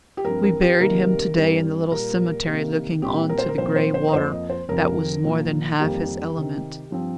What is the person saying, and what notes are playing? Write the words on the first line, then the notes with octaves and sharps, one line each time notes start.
We buried him to-day in the little cemetery looking on to the grey water that was more than half his element.
G4
G2 F3 C4 A#4
A#4
G4
C3 D#3 G3 A#3 A#4
G2 G3 C4
A#2 G3 A#3 A#4
C3 D#3 A#3
A#2 G3 C4 G4
A#4
C5
A#4
A#2 F3 C4 C5
C5
C5
D#5
F2 F3 A#3 C5
D#5
C5
F2 C3 F3 C4 A#4
A#2 F3 A#3
F2 D#3 G3 A#3 G4
C3 D#3 C4
G2 F3 C4